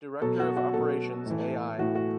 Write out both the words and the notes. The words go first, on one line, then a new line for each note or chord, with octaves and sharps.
Director of Operations, a.i.
B2 F#3 A4
F#4
F#4
B2 F#3 A4
A2 E3
A2 E3 F#4
F#4